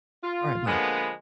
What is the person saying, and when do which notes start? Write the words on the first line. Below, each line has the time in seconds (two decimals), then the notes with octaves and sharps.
Alright, bye.
0.23 F4
0.66 D3 F3 G#3 A#3 B3